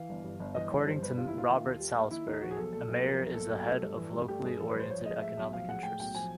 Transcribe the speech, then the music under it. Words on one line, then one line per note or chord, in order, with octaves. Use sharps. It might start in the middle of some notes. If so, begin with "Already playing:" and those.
According to Robert Salisbury, A mayor is the head of locally oriented economic interests.
Already playing: E3 F5
G1
G2
G1
E3 D#5
G1 C#5
G2 C5
G1 B4
G3 F4
E4
A#3 F4
D#3
D#2
G3
A#3
D#3 E4
D#2 D#4
F3 F#4
G#4
B1 A4
A#2 A4
B1
F3 A#4
B1
A#2 A4
B1
A3
G2
E3
G2
A3 G4
G2 G#4
E3 A4
G2 B4
C5
F3 C#5
G#3 D#5
A2 E5
B1
F3 F5
G#3 F#5
A2 G5
B1 G5
F3 G#5